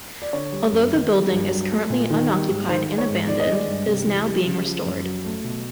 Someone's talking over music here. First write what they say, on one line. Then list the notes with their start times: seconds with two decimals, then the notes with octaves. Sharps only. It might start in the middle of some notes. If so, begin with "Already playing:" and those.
Although the building is currently unoccupied and abandoned, it is now being restored.
0.22 D5
0.33 D3 C#5
0.52 G3
0.72 F#2
0.92 D#3
1.12 G3
1.31 G2
1.51 F#3
1.71 A3
1.90 A#2
2.10 D#3
2.29 G3
2.49 G#2
2.69 D#3 C5
2.89 G#3
2.98 C#5
3.09 G#2
3.27 D#3 D5
3.40 D#5
3.47 G#3 D5
3.67 G2
3.86 C3
4.06 E3
4.26 G3
4.45 C#3
4.65 F3
4.85 F#2
5.05 F#3
5.24 A3
5.44 B2